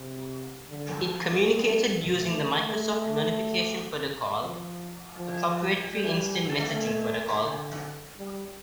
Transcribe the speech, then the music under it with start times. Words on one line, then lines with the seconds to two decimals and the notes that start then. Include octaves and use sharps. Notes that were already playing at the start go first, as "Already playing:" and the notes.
It communicated using the Microsoft Notification Protocol, a proprietary instant messaging protocol.
Already playing: C3
0.69 D3
1.06 F3
1.44 G3
2.19 A3
2.56 A3
4.42 F3
5.18 F3
5.92 G3
6.67 A3
7.42 D3
8.17 G3